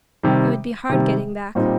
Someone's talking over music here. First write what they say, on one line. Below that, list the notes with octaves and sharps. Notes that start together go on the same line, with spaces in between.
It would be hard getting back.
C3 D#3 G3
C3 D#3 G3
A#2 G3 C4 D#4